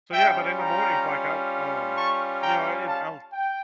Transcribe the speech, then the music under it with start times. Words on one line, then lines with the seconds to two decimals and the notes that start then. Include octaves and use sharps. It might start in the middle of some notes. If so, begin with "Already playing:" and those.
So, yeah but in the mornings, like, I'll, um You know, i it's I'll
0.13 G3 C#4 F4 E5 G5
0.59 G5 A#5
1.96 A5 C#6
2.42 G5 A#5
2.87 F5 A5
3.33 G5